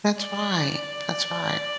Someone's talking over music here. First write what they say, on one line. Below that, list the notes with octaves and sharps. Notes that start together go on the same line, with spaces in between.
That's right. That's right.
D5